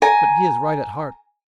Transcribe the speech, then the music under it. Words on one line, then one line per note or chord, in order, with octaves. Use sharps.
But he is right at heart.
G#5 A#5